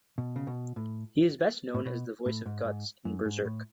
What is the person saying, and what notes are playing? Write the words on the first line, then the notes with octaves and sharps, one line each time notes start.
He is best known as the voice of Guts in "Berserk".
B2
C#3
B2
A2
A2
B2
A2
G#2
G#2
F#2
G#2
A2